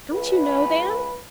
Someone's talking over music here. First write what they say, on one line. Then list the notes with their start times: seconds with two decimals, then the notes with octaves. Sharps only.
Don't you know them?'
0.11 C#2 B4